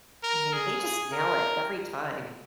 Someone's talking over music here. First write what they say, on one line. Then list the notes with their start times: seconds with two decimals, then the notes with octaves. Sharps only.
I mean, they just nail it every time.
0.23 A#4
0.53 G#4
1.12 A#4